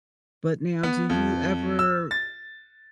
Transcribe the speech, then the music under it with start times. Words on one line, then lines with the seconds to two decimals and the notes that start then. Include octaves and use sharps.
But now, do you ever
0.83 B3
1.09 F2
1.79 E6
2.11 A6